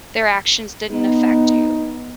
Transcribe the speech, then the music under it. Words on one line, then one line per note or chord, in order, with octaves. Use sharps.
their actions didn't affect you.
B3 D#4